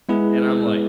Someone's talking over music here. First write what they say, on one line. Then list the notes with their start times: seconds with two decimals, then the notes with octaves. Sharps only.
and I'm like
0.09 G#3 B3 E4 G#4 B4